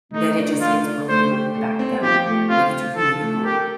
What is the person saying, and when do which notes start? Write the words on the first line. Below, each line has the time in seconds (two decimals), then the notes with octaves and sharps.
then it just gets broken back down, like, it's really cool.
0.14 A3 D#4
0.38 D4
0.61 A3 F4
0.85 D4
1.08 A3 C5
1.31 G4
1.55 A3
1.79 C4
2.03 F3 G4
2.27 A3
2.49 C4 F4
2.73 F4
2.96 F3 A4
3.21 A3
3.43 G4 A#4